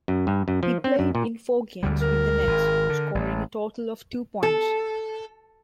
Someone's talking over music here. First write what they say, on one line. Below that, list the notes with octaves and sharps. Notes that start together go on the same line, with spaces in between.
He played in four games with the Nets, scoring a total of two points.
F#2
G2
F#2
F3
C4
F#2
A#2
D2 D3 G3
A#4
G#1
D3
A1
A4